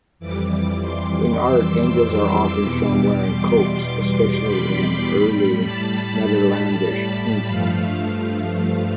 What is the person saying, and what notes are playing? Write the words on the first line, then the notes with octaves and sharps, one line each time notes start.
In art, angels are often shown wearing copes, especially in Early Netherlandish painting.
F2 E3 G3 D6
C6
E6
D6
E2 B2 G3
C6
B5
A2 G3
A5
A5
G2 F3 A3 F5